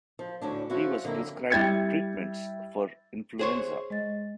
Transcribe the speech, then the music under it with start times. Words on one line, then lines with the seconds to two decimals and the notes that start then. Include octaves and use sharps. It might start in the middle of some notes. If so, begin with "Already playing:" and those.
He was prescribed treatments for influenza.
0.19 F3
0.42 D2 A2 C#4 D4
0.70 F3 C#4 E4 F#4
1.04 F2 D3 F#3 A#3 E4
1.50 G3 E4 G5 G#6 A6 C#7
3.39 G#4 C5 C#5
3.90 G#3 D#5 A6